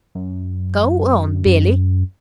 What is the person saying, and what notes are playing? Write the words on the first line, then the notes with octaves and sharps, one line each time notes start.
"Go on, Billy."
F#2
F#2